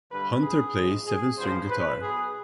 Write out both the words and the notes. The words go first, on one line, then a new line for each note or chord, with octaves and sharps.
Hunter plays seven-string guitar.
G2 D3 G3 B4
G#4
G#2 F3 G#3 B3
G#4
G2 F3 B3 C5
B4
B1 B2 B3 G#4